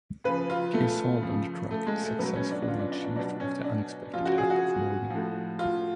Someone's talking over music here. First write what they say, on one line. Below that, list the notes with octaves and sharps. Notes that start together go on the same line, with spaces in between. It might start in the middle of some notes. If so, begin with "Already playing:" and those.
The assault on the truck is successfully achieved with the unexpected help of Morgan.
C#3 F3 B4
F4
A3
C#3 F3
A3
G#3
A3
B2 F#3 B3
C#4
D4
D4
F4
D4
D4
D4
B2 F#3 D4
C#4
D4
C#3 F3 F4
F#4
G#4
F#4
A2 F3
F4